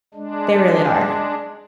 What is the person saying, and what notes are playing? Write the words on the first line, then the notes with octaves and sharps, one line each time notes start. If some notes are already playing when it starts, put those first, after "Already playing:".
they really are.
G#3 D4